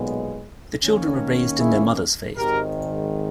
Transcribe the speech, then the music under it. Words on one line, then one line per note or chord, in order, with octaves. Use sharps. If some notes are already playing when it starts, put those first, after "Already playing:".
The children were raised in their mother's faith.
Already playing: B1 A#2 G#3 B3
D#2 D#3 A#3 C#4
E4 G#4
G#1 G#2 D#3 G#3 G4 A#4